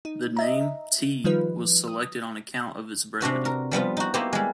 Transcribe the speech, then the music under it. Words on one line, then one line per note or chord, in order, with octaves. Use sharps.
The name "Tea" was selected on account of its brevity.
D#4
D#5 E5 A#5
D#3 F3 G3 D#4 F4 B4
D#6
C3 D4 F#4 B4
A#4
F3 G3 B3 F4
D#4 F#4
A#3 B3 E4 F#4 G4 C5
G3 G#3